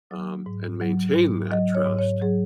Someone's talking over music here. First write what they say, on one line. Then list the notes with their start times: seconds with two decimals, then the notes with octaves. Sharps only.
um, and maintain that trust,
0.11 F#3
0.46 G#2
0.81 F#3
1.16 G#2
1.51 F#3 D#5
1.75 C#5
1.86 G#2
1.99 C#5
2.22 F#3 G#4